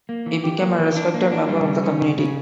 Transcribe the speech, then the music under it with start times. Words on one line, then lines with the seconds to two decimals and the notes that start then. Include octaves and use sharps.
He became a respected member of the community.
0.09 A#3
0.26 E3
0.44 G4
0.61 A#3
0.79 E3
0.96 D4
1.14 A#3
1.31 D4
1.49 G3
1.66 C#3
1.83 C#4
2.01 C#3
2.18 C#3